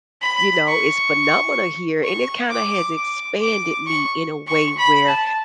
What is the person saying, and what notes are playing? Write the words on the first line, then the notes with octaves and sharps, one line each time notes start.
you know, "it's phenomenal here." And it kinda has expanded me in a way where
B5
C#6
C#6
D6
D6
D6
C#6
C#6
B5
A5